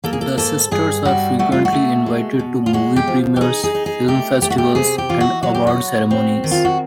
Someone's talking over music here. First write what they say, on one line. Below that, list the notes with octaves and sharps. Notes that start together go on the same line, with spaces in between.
The sisters are frequently invited to movie premieres, film festivals, and award ceremonies.
A#3 A4
G#4
A4
G#2 A4
G2 G#4
G3 F#4
A3 F#4
F4
F#4
A3
G#3
B2
F4
G#3 F#4
G4
F3
G4
D#4 G#4
G#4
D#4
G#4
A3 G4
A3 G4
F#4
G4
C3 G#4
G4
E3 F4
F#4
F#3 F#4
G4
F#4
B3
C4
D#3
F4
F#4